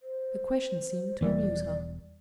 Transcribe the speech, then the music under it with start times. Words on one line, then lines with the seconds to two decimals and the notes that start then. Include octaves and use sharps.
The question seemed to amuse her.
0.01 C5
1.21 E1 E3 G3 D5